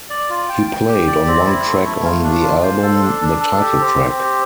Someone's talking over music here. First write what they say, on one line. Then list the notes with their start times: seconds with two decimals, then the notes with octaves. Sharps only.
He played on one track on the album, the title track.
0.10 D5
0.30 F4
0.49 G5
0.68 G5
0.88 G4
1.07 D5
1.27 C4
1.47 E4
1.65 A3
1.85 A3
2.04 F4
2.24 D4
2.43 F4
2.63 C5
2.83 A4
3.03 D4
3.21 D4
3.40 A4
3.61 G4
3.80 C4
4.00 C4
4.19 G4